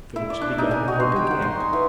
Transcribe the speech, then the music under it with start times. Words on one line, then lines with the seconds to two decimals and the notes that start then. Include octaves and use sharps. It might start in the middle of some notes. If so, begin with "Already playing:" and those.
Fix began to hope again.
0.16 E4
0.30 D5
0.41 D4
0.58 D#4
0.71 G#5
0.88 F#4
1.00 C6
1.16 G5
1.31 F#5
1.42 C6
1.60 G#5
1.73 E3